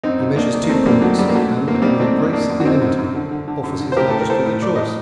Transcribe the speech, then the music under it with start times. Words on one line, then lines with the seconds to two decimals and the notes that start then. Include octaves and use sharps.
He measures two points, and, with a grace inimitable, offers his Majesty the choice.
0.03 F#2 C4 D#4
0.20 F#2
0.36 D#3 A#3 D4
0.53 D#3
0.64 A#3
0.69 D#3 A3 C4
0.86 F#2 G3 A#3
1.02 D#3 F#3 A3
1.19 F#2 G3
1.29 A#3
1.34 F#2 F#3 A3
1.52 F#2
1.68 F#2 A#3
1.74 C4
1.82 D#3 G3 A#3
2.00 D#3 A3 C4
2.16 F#2
2.33 D#3 A#3 D4
2.49 F#2
2.60 F#4
2.65 F#2 C4 D#4
2.82 F#2
2.99 F#2
3.15 D3
3.31 D3
3.48 D3
3.64 F#2
3.81 D3
3.92 C5
3.97 A2 G4 A#4
4.10 A2 A4
4.21 A#4
4.30 A2 A4 C5
4.46 A2
4.62 A2 D5
4.75 A2 D#5